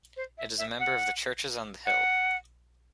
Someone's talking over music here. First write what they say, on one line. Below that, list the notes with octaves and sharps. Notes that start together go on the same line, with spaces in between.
It is a member of the Churches on the Hill.
C5
E5
E5
F#5
F#5